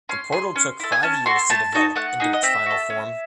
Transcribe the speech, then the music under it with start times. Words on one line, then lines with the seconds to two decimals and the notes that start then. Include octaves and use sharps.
The portal took five years to develop into its final form.
0.09 C#4 C6
0.32 G#4 C6
0.56 C#4
0.80 E4 A4
0.92 G#5
1.03 C#4 A5
1.26 F#4 A4 C6
1.50 A3 A5
1.72 D#4 F#4 A4
1.96 A3 F#5
2.20 D#4 G#4
2.33 D#5
2.43 C4 E5
2.66 F#4 A4
2.90 C#4